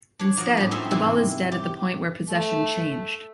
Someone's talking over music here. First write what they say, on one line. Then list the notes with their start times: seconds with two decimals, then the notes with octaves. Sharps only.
Instead, the ball is dead at the point where possession changed.
0.19 D4 C#5
0.36 F3 A#3 F#4
0.57 A2 C4
0.71 C4 C#4 D#4 E5 C6
0.91 G#2 C3 E3 C4 E4
1.52 G4
2.30 A3